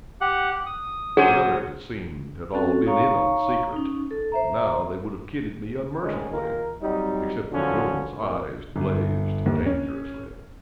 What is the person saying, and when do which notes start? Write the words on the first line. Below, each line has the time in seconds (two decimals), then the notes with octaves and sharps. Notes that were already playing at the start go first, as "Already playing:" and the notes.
The others, it seemed, had all been in on the secret, and now they would have kidded me unmercifully, except that Wilma's eyes blazed dangerously.
0.21 G4 F#5
0.66 D#6
1.17 F#3 C#4 G#4 C5
2.54 C4 C#4 F#4 A4
2.86 D#4 C#5 F5 A#5 C#6
3.72 C#4 D#4
4.11 A4
4.32 C5 E5 A#5
6.02 D2 D#3 G#3 C#4
6.32 D#2 D#3 F4 A#4
6.82 F#3 G3 C4 D#4
7.52 G#1 D3 F3 F#3 C#4
8.19 C2 F#2 A#2
8.76 G1
9.46 D#2
9.66 C#4